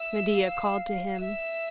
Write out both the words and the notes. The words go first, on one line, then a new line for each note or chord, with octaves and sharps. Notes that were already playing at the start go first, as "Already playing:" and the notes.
Medea called to him.
Already playing: E5 E6
F5
E5 E6